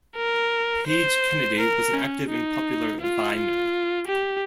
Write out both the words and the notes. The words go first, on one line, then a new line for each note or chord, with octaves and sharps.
Page Kennedy was an active and popular Viner.
A#4
C5
A#4
C#4
D#4
F4
F4
G4